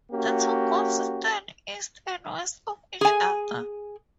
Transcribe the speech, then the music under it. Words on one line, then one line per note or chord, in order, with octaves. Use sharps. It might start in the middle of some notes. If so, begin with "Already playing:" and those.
The two goals stand east and west of each other.
A#3 C#4 F#4 G4
G#4 G#5